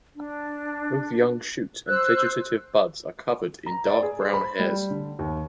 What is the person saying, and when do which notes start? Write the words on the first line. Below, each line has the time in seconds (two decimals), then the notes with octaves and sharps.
Both young shoots and vegetative buds are covered in dark brown hairs.
0.15 D4
1.88 C5 E6 F#6
3.66 A#5
3.86 D5
4.03 G#4
4.21 C5
4.34 B5
4.59 G3
4.91 D3
5.19 D#2